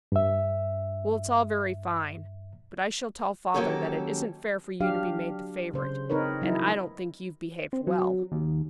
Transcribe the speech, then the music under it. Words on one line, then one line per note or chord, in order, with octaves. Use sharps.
"Well, it's all very fine, but I shall tell father that it isn't fair for you to be made the favourite, and I don't think you've behaved well."
G2 E5
D#3 F#3 A#3 C#4 G4 A4
F#3 D4 G4 F5
C#3 C5
C4 D#4 A#4 B4 C#5
F#3 D#4 E4
C4
F#3
D#2